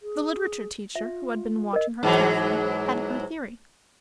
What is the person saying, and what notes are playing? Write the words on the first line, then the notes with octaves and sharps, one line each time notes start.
The literature teacher, who had been watching her carefully, had her theory.
G#4
F4 E5
A#4 D#5
G#2 E3 F#3